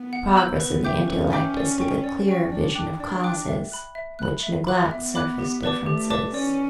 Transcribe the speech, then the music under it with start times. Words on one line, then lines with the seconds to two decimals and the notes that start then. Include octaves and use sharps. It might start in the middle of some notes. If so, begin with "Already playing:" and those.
The progress of the intellect is to the clearer vision of causes, which neglects surface differences.
Already playing: B3
0.13 F#5
0.37 B5 E6 G6
0.60 B3 B4
0.84 E5 G5 D6 G6
1.08 C#4 B4
1.32 E5 G5 D6 G6
1.57 D5
1.80 G5 C#6
2.04 D5
2.29 G5 C#6
2.52 D4 D5
2.75 G5 D6 F#6
3.00 D4 D5
3.24 G5 D6 F#6
3.48 E5
3.72 B5 F#6
3.95 E5
4.19 B5 F#6
4.43 E5
4.67 B5 D6 F#6
4.91 B3 E5
5.15 B5 D6 F#6
5.39 G4
5.63 B4 D5 A5 D6
5.86 A3 G4
6.10 B4 D5 A5 D6
6.34 C#4 D5